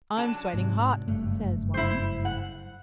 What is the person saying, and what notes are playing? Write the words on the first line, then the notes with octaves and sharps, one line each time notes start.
"I'm sweating hot," says one.
F#3 D4 A5
G#2 C3
F#1 G2 A3
E4 C5
F#5